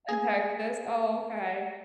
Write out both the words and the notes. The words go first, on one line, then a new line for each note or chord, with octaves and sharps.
in Texas? Oh, okay.
G#4 G#5